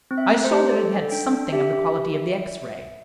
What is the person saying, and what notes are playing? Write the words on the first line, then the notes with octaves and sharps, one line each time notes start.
I saw that it had something of the quality of the X-ray.
C4
E5
A3
C5
G4
A4 D5
A4
D4 G5
D4
G4 E5
G4